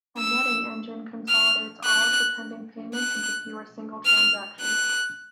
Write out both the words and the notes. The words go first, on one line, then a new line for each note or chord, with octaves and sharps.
A netting engine consolidates all of the pending payments into fewer single transactions.
E6
F6
F#6
F#6
F6
F#6